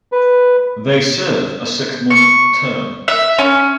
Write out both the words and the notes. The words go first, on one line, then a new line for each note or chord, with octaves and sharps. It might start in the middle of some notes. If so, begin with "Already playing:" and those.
They serve a six-month term.
B4
C#6
E5
C#4